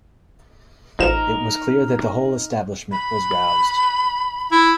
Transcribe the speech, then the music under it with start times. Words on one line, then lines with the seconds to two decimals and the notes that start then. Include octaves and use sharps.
It was clear that the whole establishment was roused.
0.99 A1 F3 D#4 A#4 E7
2.92 B5
4.52 E4